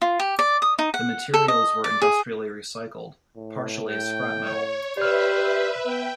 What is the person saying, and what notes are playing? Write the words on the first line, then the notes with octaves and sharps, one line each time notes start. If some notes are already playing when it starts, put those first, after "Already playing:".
The materials were industrially recycled, partially as scrap metal.
F4
G4
D5
D#6
D#4
F#5
A4
D#5
D5
G#4
A2
G5
C#5
G4 B4 C5 D5 E5 F6
B3 G5